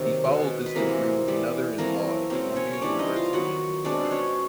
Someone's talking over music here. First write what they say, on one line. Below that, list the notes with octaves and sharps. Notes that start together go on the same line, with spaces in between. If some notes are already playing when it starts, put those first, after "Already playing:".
He followed this degree with another in law at Columbia University in New York.
Already playing: C3 D#3 F#3
B2 G#3 B3
B4
C3 E3 G#3 A#3 B3 A#4
E3 G3 B3
E3 A3 A#3 C4 A#4
C#3 F#3 A#3 C4 C5
C#4 C#5
C#5
C#3 E3 G3 C4 D4 D5
D#4 D#5
F4 F5
D#3 F#3 B3 F#4 F#5
B2 G#3 C4 D4 D5
C5
C#4 C#5